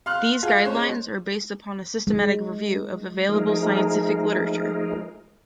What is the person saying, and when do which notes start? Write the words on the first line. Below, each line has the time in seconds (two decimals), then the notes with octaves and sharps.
These guidelines are based upon a systematic review of available scientific literature.
0.06 F5 C6 F6 F#6
0.43 F4 G#4
0.65 G#3 C#4 C5 C#5
2.07 G#3
3.29 F3 G#3 A3 D#4 G#4 A#4